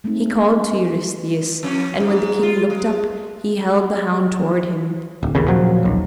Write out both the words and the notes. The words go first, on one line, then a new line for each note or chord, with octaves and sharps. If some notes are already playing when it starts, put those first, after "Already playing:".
He called to Eurystheus, and when the king looked up he held the hound toward him.
G#3 A3 C4 D#4
F2 C#4
G#2
F4
G#3
D1
A1 D#2 C#3
A#2 F3 F#3
D#1 B1